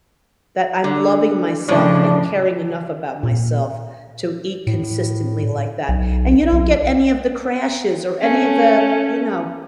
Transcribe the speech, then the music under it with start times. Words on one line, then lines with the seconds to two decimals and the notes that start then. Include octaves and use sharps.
that I'm loving myself and caring enough about myself to eat consistently like that and you don't get any of the crashes or any of the you know,
0.84 D3
1.69 A2 C#3 F3 D4
3.23 A#2
4.67 A2
5.88 B1
6.52 B1
8.21 A3 C#4